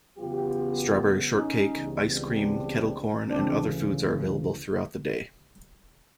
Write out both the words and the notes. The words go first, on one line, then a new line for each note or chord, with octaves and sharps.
Strawberry shortcake, ice cream, kettle corn and other foods are available throughout the day.
E2 C#3 F#3 B3 F4 G4
C#4 D#4
C#2 C#3 E3 G3 B3
C4 D4
D2 C#3 E3 C4 D4